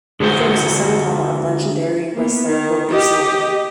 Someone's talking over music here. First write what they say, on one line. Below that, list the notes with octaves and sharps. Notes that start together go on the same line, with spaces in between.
Regal is the son-in-law of legendary wrestler Wilbur Snyder.
D3 G#3 F#4 C5
A#3 B3
D#3
G4 D#5